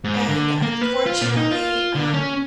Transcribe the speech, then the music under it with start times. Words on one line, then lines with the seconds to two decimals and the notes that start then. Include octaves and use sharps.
and, unfortunately, um,
0.04 G#2
0.29 D3
0.62 A#3
0.82 B4
1.06 F4
1.21 A#2
1.37 D#4
1.52 F4
1.95 D3
2.14 C#4